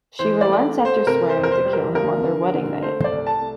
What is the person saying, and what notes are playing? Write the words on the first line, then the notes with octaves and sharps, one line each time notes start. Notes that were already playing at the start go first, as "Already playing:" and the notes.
She relents after swearing to kill him on their wedding night.
E3 C5
D5
A3
A3
C5
C3 A#4
C5
F2
A#4
C5
G3
A#4
F3 A#4
D3
D3
A3 C5
C5
D5
C2
A5
A3